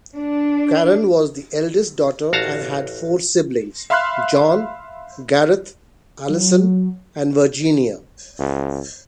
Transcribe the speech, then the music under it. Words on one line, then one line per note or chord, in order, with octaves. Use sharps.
Karen was the eldest daughter and had four siblings: Jon, Gareth, Alison and Virginia.
D4
A1 F#4 F5 A5 A#5
E5 F5 B5 C6 F6 F#6
F#3
C#2